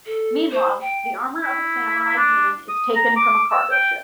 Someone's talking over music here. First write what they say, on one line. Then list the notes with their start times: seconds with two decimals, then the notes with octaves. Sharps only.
Meanwhile, the armor of a samurai demon is taken from a cargo ship.
0.06 A4
0.52 C5
0.81 G5
1.42 E4
2.17 D4
2.68 D#6
2.95 A#5
3.16 D6
3.50 E6
3.71 G5